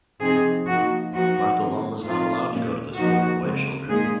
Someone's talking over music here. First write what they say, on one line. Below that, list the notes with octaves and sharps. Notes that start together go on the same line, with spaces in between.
Martha Lum was not allowed to go to the school for white children.
C3 F3 C4 D#4 G#4
F3 A#3 D#4 F#4
F3 A#3 D#4 F#4
D#3 G#3 C4
F3 C4 D#4 F4
A#2 G#3 C#4
F3 A#3 D#4 F#4
C#3 G#3 C4
A#2 G#3 D#4 G#4